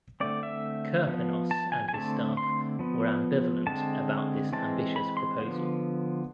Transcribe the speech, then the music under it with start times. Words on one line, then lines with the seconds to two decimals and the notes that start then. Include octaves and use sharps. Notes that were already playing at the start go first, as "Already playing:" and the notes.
Kirponos, and his staff were ambivalent about this ambitious proposal.
0.20 D3 A3 C4 D5
0.43 E5
1.07 F3 B3
1.51 A5
1.72 G#5
1.89 G#5
1.94 D3 A3 C4 A5
2.37 C6
2.79 F3 B3
3.67 D3 G#3 C4 A5
4.53 E3 G#3 C4 A5
4.96 B5
5.17 C6
5.39 D3 F3 B3